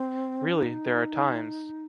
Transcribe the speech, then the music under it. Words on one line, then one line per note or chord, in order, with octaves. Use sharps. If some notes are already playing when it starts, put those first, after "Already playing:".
Really, there are times...
Already playing: C4
D#4